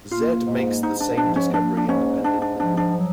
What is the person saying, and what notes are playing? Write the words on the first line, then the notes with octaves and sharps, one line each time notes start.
Zedd makes the same discovery independently.
A#3 F4
G#2
G#2 D#4
D4
F3 D4
C#4
A#3 D4
D4
G#2 C#4
G#2 D4
D4
F3 D4
D4
F#3